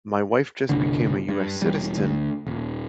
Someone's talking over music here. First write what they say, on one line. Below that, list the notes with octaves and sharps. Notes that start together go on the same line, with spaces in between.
My wife just became a US citizen,
G1 C2 D3
G2
E1 G3
D2
D#1